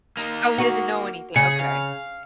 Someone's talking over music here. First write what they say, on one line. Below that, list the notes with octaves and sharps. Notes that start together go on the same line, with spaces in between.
Oh, he doesn't know anything, okay.
A#3 D#4
F#4
C#3 G#4 C#7
F5